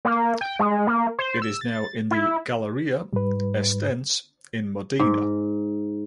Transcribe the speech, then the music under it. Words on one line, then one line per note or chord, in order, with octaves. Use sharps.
It is now in the Galleria Estense in Modena.
A#3
G5
G#3
A#3
C5
E6
A6
E4
G#2 G3 B4
G#2